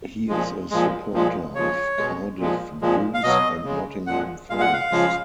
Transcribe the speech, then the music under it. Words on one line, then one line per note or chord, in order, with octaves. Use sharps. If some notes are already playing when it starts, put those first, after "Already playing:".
He is a supporter of Cardiff Blues and Nottingham Forest.
A#2 F3 G#3
A#2 F3 G#3
A#2 F3 G#3
C#3 F3 G#3 C#5
B2 G#3
A#2 F3 G#3
A#2 F3 G#3
F5
B2 F#3 D#5
C#3 G#3
A#2 F3 G#3 F#5
A#2 G#3 F5
F#5
F5
C#3 F3 G#3